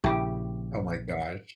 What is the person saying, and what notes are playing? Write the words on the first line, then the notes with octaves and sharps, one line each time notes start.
Oh my gosh.
A#1 C#3 E4 G4